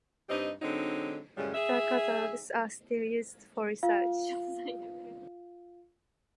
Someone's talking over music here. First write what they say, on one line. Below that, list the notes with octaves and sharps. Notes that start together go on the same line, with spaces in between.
The catalogs are still used for research.
G2 C4 D#4 G4 D#5
D3 F#3 G#3 C4 D#4
F#2 A2 C#3 G3 G#3
G#4 E5
F4 F5